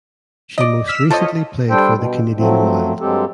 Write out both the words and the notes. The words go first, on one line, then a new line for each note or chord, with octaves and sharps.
She most recently played for the Canadian Wild.
D5 D#5
E6 F6 B6
C4 F4 A4 C#5 D#5
G3 D4 A4 C5 G5
B2
F3 F#3 A3 C4
G2 F#3 G#3 C4 G4 A4